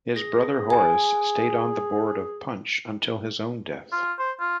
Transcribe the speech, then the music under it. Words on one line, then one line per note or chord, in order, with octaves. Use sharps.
His brother Horace stayed on the board of Punch until his own death.
G#4 A#6
G#5
F4
C5
F4